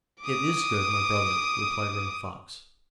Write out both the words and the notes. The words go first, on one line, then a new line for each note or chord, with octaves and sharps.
"It is good, my brother," replied Running Fox.
D6 D#6